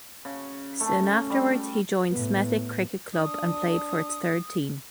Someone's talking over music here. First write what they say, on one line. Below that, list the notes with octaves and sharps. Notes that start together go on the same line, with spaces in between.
Soon afterwards, he joined Smethwick Cricket Club and played for its third team.
C#3
A3 C#4
G3
A2 B3
D4 D#6